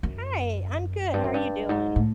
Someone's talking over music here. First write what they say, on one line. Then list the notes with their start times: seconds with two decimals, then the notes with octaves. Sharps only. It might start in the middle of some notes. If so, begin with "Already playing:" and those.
Hi. I'm good. How are you doing?
0.03 F#2
1.14 G2
1.24 F#2
1.34 G2
1.69 G#2
1.96 A2